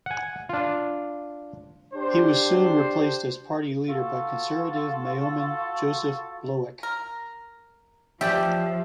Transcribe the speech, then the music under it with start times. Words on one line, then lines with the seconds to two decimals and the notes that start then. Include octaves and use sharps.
He was soon replaced as party leader by conservative Mayoman Joseph Blowick.
0.06 F#5 G#5
0.49 D4 F4
1.94 D4 G4 C5
3.89 F4 F#4 A4
6.83 A#4
8.21 F3 C#4 G4 D5 E5 G5